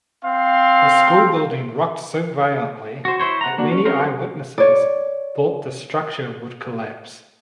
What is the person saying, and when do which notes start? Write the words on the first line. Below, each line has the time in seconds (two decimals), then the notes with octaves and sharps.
The school building rocked so violently that many eyewitnesses thought the structure would collapse.
0.24 C4 F5 C6
3.05 F#4 C5
3.20 E4 C5 C#5
3.41 F#5 A#5
3.58 A#3 D4 F#4
3.72 C#4
3.85 F#3 C4 C#4 A#4 C5
4.58 C#5 D5